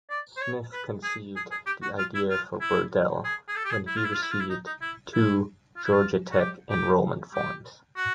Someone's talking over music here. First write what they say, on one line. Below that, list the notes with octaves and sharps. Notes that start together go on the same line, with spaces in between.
Smith conceived the idea for Burdell when he received two Georgia Tech enrollment forms.
D5
C5
C#5
B4
G#4
G#4
G#4
G4
F#4
F4
E4
F4
E4
G#4
G#4
A4
G4
G#4
E4
F4
E4
F4
E4
F4
E4
D#4
D#4
E4
E4
F4
E4
F4
F#4
G4
G4
G4
F#4